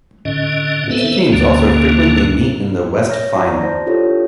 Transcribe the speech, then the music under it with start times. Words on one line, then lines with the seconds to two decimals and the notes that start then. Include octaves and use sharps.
The two teams also frequently meet in the West Final.
0.25 A2 D3 C#4 D#5
0.90 B3 C4 A4 B4 C5 E5
1.32 D2 A2 D3 A#3 C#4
3.07 C#5 E5 F6 G6 A#6
3.36 E4 F#4 D5 A5 A#5
3.61 C5 G6 A#6
3.86 D4 E4 F4 G4 A4 C#5